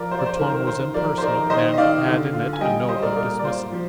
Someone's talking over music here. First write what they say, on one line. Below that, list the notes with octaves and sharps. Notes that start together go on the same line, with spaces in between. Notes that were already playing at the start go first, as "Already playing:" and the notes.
Her tone was impersonal and had in it a note of dismissal.
Already playing: F3 A#4 D5
F4 C5
D5
C5
D#3 A#4
C5
A#4
D#3 C5
F3 A#4 D5
C5
D#4 A#4 D5
D#3 C5 D#5
D#5
D#3 D5 F5
D3
F4
G#5
G3 D#5 G5
G3 C5 D#5
A#4 D5
A#2 A#4 D5
D5
F4 C5
F3